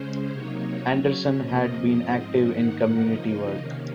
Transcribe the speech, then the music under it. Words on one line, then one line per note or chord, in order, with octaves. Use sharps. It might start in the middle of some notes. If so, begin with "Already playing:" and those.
Anderson had been active in community work.
Already playing: C#3 G#3 C#4 C5
C3 F#3 A#3 D#4 C#5
C#3 F#3 C#4 C#5
F2 C3 F3 A#3 D#5
G#2 F3 C4 D#5
G#2 D#3 A#3 D#4 F#5
C#3 F3 A#3 D#4 D#5
C3 D#3 A#3 C#4